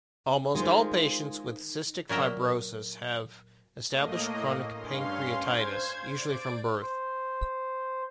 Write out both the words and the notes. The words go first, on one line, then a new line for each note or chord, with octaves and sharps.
Almost all patients with cystic fibrosis have established chronic pancreatitis, usually from birth.
D#3 G#3 F4 C5
A#2 F#3 A#4 D#5 E5
A2 A#3 D#5
G2 C#4 F5 C6
C5 G#6
D5 D7
C5